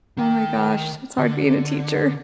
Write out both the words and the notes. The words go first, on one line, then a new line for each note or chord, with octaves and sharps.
Oh my gosh, it's hard being a teacher.
D#3 G5
D3